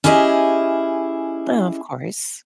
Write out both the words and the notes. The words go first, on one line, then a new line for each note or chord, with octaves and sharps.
Oh, of course.
C#4 E4 G4 G#4 B4 D#5